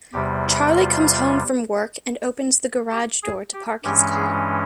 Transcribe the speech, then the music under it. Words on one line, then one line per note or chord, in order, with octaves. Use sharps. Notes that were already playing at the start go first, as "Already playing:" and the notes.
Charlie comes home from work and opens the garage door to park his car.
E2 C3 G3 G4
E4
F4
G4
G#4
G4
G2 E3 G#3 C#4 G4
G#4